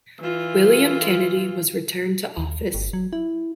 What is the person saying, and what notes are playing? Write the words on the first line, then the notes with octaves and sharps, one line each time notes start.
William Kennedy was returned to office.
E3 F4
D#2
G1
F#3
E4